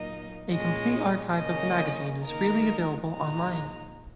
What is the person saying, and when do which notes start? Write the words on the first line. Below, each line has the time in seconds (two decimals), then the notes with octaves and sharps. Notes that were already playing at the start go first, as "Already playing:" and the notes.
A complete archive of the magazine is freely available online.
Already playing: A#2 F#3 A#3 D#4 D#5
0.51 A#2 G#3 C#4 D#5
1.38 C#3 A#3 C#4 D#5
2.24 D#3 A#3 D#4 A#4
3.10 A#2 G#3 D#4 A#5